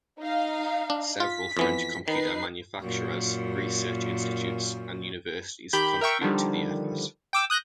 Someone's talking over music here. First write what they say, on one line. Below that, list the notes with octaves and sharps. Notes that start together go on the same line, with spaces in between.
Several French computer manufacturers, research institutes and universities contributed to the effort.
D#4 F5
D4
F4 B6
F2 E3 B3
D#3 D#4 B4 C7
F#2 A#2
D#3 G4 B5 G6
A#4 E5 G5 C#6
D3 D#3 F3 G3
G5 D6 E6
D#6 F#6 G6 A#6